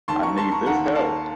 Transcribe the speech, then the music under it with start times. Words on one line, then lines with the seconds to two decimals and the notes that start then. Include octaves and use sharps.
I need this help.
0.08 D#2 A5 C6
0.13 D#3
0.23 A#5 C#6
0.37 A5 C6
0.52 A#5 C#6
0.66 D#2 D#3 F#5 A#5
0.95 F5 A5